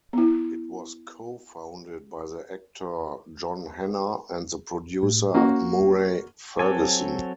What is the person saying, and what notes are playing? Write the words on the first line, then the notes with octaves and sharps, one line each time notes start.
It was co-founded by the actor John Hannah and the producer Murray Ferguson.
B3 E4
A2
A#3 C#4 F#4
F#3 C4 A4 G#5